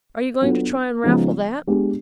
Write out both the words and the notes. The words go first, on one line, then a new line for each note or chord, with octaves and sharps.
"Are you going to try and raffle that?"
F#3 B3 D4 F4 A4
C#3 F3 G#3 B3 D#4
G#3 B3 D4 G4